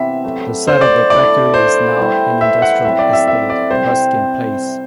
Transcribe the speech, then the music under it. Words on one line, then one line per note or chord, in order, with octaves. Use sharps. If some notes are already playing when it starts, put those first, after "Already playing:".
The site of the factory is now an industrial estate, "Ruskin Place".
Already playing: C3 E3 B3 D4 E5
A2 F#3 A3
C5
D5
D3 A3 E4 A4 D5
C5
G3 B3 E4
E5
F#5
A2 F#3 C4 E5
D5
E5
E5
D5
C3 G3 C4 C5